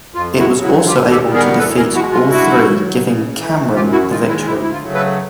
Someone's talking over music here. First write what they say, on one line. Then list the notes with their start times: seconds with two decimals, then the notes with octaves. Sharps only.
It was able to defeat all three, giving Cameron the victory.
0.15 F2 F4
0.38 E4 F#4
0.50 C#3 F#3
0.62 E4 F#4
0.86 D#2 F4 G4
1.10 G4 A4
1.22 D#3 G3 B3
1.34 G#4 A#4
1.58 E2 A4 B4
1.76 G#4 A#4
1.95 B2 G#3 E4 F#4
2.13 F4
2.30 G2 E4 F#4
2.66 D#3 F#3
3.03 C#3
3.38 E3 A3
3.75 F#2 F4 G4
3.92 E4 F#4
4.10 D#3 G#3 F4
4.28 E4
4.46 D2 E4
4.62 E4
4.71 F4
4.82 C#3 F#3 A3
4.94 A4 B4